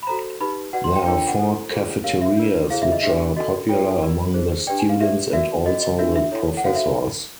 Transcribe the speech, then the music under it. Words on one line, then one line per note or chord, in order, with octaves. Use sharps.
There are four cafeterias which are popular among the students and also the professors.
B5
F#4 A4 C5 A#5
D#4 G4 B4 B5
F#4 B4 D5 F#5
C6
G5
D4 F4 A#4 C#5 G5
G5
F#5
E4 A4 C5
F4 G#4 C5
G4 A#4 C#5 F5
E5
D4 F4 A#4 D5
E4 G#4 C5 F5
E5
D#5
D4 G4 B4 D5 E5
F#4 A4 D5 D#5
F4 A4 C#5 G5
F4 A#4 D5
D#4 G#4 C5
D4 G4 B4 D5 G5
G#5
F5
G4 B4 D5 E5
F#4 A#4 D5 E5
F#4 A#4 D5 D#5
D#5
D4 F#4 A#4 E5
E5
E4 A4 C#5
F#5
D#4 F#4 A4 C5 F5
E5